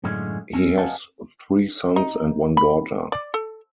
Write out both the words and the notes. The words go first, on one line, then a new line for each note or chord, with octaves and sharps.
He has three sons and one daughter.
F#2 A2 D3 G#3 C#4
C4 C#4
B4 D#5 F5 F#5 G#5 A5
D#4
B5
D5
A4